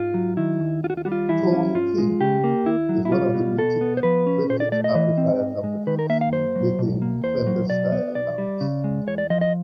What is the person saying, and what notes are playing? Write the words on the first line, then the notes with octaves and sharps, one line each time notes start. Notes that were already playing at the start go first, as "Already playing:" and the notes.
Tone King is one of the boutique "vintage" amplifier companies making Fender style amps.
Already playing: G#2 F4
F#3
D#3 E4
D#2
D#2 F4
F#4
F4
G3 F#4
F4
E3 E4
C#4
G2 F4
G#3
C#3 G4
A#3
D#2 E4
F#3
E4
G3 F4
B2
B2 A4
B3
C5
F3 B4
C#4
A#2 C5
D5
A3 D5
D#5
E3
C4
G#2
G#3
D#3 B4
A#4
A#3 E5
F5
F#2 C5
F#3
B2
A#3
E2 C5
F#3
B2 D5
B3
B1 D5
G3
C#3
G#3
E2 C#5
D5
F3 D#5
D#5